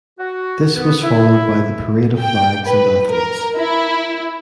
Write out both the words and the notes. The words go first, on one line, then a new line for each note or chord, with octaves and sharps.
This was followed by the Parade of Flags and Athletes.
F#4
B3
E4
G5
B4
A#4
E4